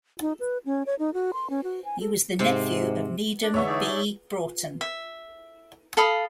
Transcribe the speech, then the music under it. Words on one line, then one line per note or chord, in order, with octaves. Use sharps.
He was the nephew of Needham B. Broughton.
D#4
B4
C#4
C#5
D#4
F#4
C6
C#4
F#4
G#5
A4
G#2 C3 C4
D4 D5
D3 E3 G#3 C#5 E5 C#6
D#4 G#4 D5
E5
A4 F5 B5 D#6